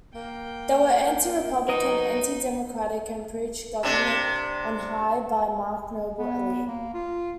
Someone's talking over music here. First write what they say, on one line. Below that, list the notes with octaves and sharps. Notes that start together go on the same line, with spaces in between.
They were anti-Republican, anti-democratic, and preached "Government on High", by a marked noble elite.
A#3 G5
F#3 D#4 A#4 B4 D#5
C3 D4
B3
A#3
F4